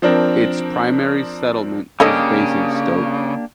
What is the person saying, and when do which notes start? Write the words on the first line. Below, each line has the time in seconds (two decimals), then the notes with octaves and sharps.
Its primary settlement is Basingstoke.
0.02 F3 C4 D4 A#4
2.00 C#3 A#3 D4 G4 A4 C#5 D#5